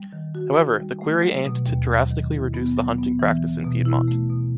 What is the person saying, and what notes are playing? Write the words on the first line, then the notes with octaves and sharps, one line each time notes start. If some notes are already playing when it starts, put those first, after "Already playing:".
However, the query aimed to drastically reduce the hunting practice in Piedmont.
Already playing: G3
D#3
F#4
D#4
G3
A3
F#3
B2
D#2
F#3
D#3
E4
B3
F#3
B3
E3
C3
B2
E4
A3
B2